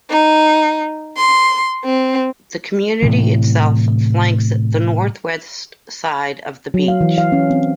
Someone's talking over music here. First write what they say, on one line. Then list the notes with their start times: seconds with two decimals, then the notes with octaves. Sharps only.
The community itself flanks the northwest side of the beach.
0.10 D#4
1.17 C6
1.83 C4
3.02 A2 C3 E3
6.74 F#3
6.88 F5
7.01 E3
7.18 F5
7.32 C#4
7.50 C4